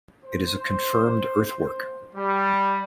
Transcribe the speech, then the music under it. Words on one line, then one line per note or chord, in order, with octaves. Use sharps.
It is a confirmed earthwork.
C5
G3